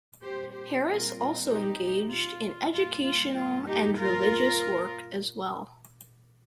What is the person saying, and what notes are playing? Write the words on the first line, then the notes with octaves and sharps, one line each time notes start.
Harris also engaged in educational and religious work as well.
A#2 G3 C4 G4 C5
G4 C5
F4 A#4
D#4 G4
F4
G2 G3 A#3 F4
F4
F4
D#4 G4
F4 A#4